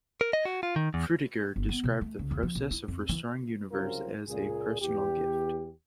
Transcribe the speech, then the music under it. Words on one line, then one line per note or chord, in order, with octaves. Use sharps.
Frutiger described the process of restoring Univers as a personal gift.
A#4
D#5
F#4
F4
D#3
E2
G1
B3
B2
A3
C#2
E2
F3
B1
E4
F2
E3
C2 C#3 F#3 C4 F4 A#4
C#2 A#2 G#4
E2 G4